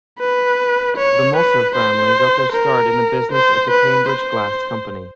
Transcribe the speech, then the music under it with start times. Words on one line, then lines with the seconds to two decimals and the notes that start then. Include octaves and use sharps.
The Mosser family got their start in the business at the Cambridge Glass Company.
0.19 B4
0.97 C#5
1.37 B4
1.76 C5
2.54 A#4
3.32 C5
3.71 B4
4.10 C5